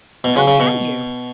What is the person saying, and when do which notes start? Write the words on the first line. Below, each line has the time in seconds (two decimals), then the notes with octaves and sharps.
How can you?
0.24 B2
0.36 C#3
0.47 C#3
0.60 B2